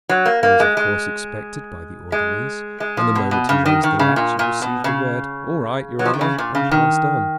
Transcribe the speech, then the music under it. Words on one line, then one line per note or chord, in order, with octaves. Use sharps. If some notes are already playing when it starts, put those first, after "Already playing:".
He was of course expected by the orderlies, and the moment he raised the latch he received the word: 'All right, your honor!' and passed on.
F#3
A#3
A#3
G#3
G#3
G#3
G#3
F3
B2
B2
C#3
D#3
D#3
C#3
A#2
A#2
B2
C#3
F#3
F3
D#3
C#3
A#2
C#3
D#3